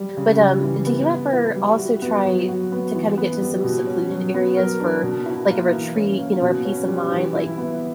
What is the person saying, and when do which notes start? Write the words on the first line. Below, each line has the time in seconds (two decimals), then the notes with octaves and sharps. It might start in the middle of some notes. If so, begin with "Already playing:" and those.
But, um, do you ever also try to kinda get to some secluded areas for, like, a retreat, you know, or peace of mind, like,
Already playing: G3
0.17 C#3
0.40 G3
0.63 E3
0.87 B3
1.09 B4
1.33 E4
1.56 G3
1.79 F#4
2.02 B3
2.25 F#3
2.49 F#4
2.72 B3
2.95 E3
3.18 B3
3.41 G3
3.64 B2
3.87 C#4
4.11 F#3
4.34 B3
4.57 A#4
4.80 D4
5.03 B2
5.26 E4
5.50 A#3
5.73 E3
5.96 C#4
6.19 A#3
6.42 B2
6.65 C#4
6.88 G3
7.11 E3
7.35 E4
7.58 B3